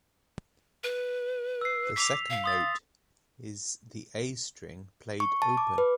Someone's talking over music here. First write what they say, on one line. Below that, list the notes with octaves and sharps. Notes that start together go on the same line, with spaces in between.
The second note is the a string played open.
B4
E6 C7
D6 B6 F7
F5
C6 D#6 A6
C#6
A5
D6
B4